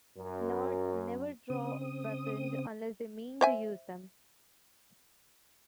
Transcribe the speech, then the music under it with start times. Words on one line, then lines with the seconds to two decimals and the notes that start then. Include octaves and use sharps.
Narn never draw weapons unless they mean to use them.
0.18 F#2
1.50 C#3 C4 D#6
3.41 C5 E5 G#5